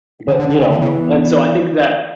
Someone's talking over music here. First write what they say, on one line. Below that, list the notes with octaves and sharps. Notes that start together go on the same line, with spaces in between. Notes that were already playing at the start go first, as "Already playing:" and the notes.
"but, you know" And, so, I think that
D3
D3
D3
C#3
D3 E3 B3
C#3